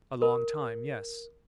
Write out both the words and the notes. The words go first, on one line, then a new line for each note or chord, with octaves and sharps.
"A long time--yes."
A#4